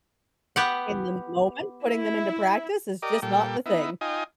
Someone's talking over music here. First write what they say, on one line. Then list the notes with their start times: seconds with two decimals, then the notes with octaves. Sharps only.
in the moment, putting them into practice is just not the thing.
0.56 B3 G4 F#5
1.85 E4
3.02 G4 A#4 D5 D#5
3.22 A#2 G3 A4 G5
3.66 B3 D#4 E4
4.01 D#4 F4 D#5 G5 G#5